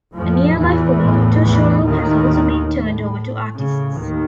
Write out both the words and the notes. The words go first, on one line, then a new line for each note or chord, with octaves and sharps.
A nearby former auto showroom has also been turned over to artists.
F2 A2 F3
E2 E3
A2
E2 E3
D#2 A2 D#3
A2
A2 C#3
D#2 D#3